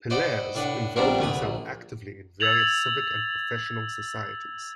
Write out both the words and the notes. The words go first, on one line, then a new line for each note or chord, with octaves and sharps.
Pelaez involved himself actively in various civic and professional societies.
B4 C5 D5 D#5 F#5 G5
A2 D4 B4 F#5
A#1 G3 B3 C4 D4 A#4
D2 A3 B4 D#6
A#1
E6 G#6 A6 F7 F#7